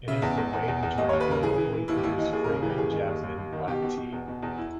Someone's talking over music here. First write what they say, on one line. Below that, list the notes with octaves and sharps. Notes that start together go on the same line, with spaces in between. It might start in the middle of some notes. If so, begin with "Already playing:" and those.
It is the way to drink the locally produced fragrant jasmine black tea.
C#3 E5
E2
E2
E2
E2
E2
D#2 D#5
C#5
D#2
B4
C#3 A#4
E3 G#4
E3
E3
D#2 E4
G4
D#2 E4
E3 D#4
D#2 G#4
C#3 A#4
G#4
E3
G4
D#2 G#4
D#3
D#2
D#2
D#2
D#3
B2 G4
B2
B2
E2
B2
E2
E4